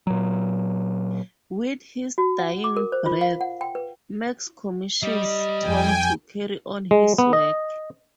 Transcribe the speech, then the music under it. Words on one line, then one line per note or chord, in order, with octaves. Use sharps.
With his dying breath, Max commissions Tom to carry on his work.
A#2 F#3
F#4
F#5
D6
A#4
C5
F4
F5
F#5
G5
B4
G3 D#5
F2 G5 G#5
G#3
B3
D#5